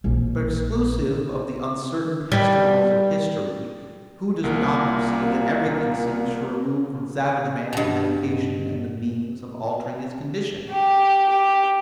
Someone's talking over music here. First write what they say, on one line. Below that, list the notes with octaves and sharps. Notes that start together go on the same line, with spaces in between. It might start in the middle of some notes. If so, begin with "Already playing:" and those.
But exclusive of the uncertain testimonies of history, who does not perceive that everything seems to remove from savage man the temptation and the means of altering his condition?
A#1
G3
C2 A#2 A#3 A#4
G2 B2
G4
G4